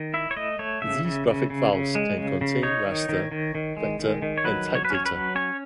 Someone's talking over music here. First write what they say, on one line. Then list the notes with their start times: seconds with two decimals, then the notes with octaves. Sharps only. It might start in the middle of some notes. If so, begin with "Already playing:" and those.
These graphics files can contain raster, vector, and type data.
Already playing: D#3
0.14 E4 E5
0.31 C#5
0.36 A3 D#5
0.59 A3 C#5
0.82 C#3 E5
1.05 C#3
1.27 C#3
1.50 C#3
1.73 C#3
1.95 G#3
2.18 C#3
2.41 C#3
2.63 D#4 C#5
2.86 D#3
3.09 D#3
3.31 D#3
3.55 D#3
3.77 G#3
3.99 D#3
4.22 D#3
4.38 C#5
4.44 F#3 B4
4.68 F#3
4.75 C#5
4.85 B4
4.90 C#4 C#5
5.06 B4
5.13 F#3
5.35 C#4 C#5